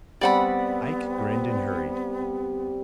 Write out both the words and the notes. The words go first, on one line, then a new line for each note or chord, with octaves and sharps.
Ike grinned and hurried.
G3 B3 C4 D5 F#5 B5